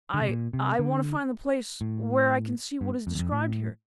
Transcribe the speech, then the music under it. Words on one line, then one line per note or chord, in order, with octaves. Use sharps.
I--I--want to find the place where I can see what is described here.
D3
C3
A#2
C3
D3
A2
G2
F2
E2
F2
A2